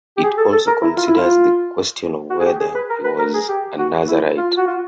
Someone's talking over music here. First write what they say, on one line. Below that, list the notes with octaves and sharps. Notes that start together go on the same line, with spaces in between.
It also considers the question of whether he was a Nazirite.
G4
G#4
A4
A4
A#4
E4
F4
E4
F4
F#4
G#4
G4
G#4
B4
A#4
B4
A#4
G#4
G4
F#4
E4
F4
F#4
F4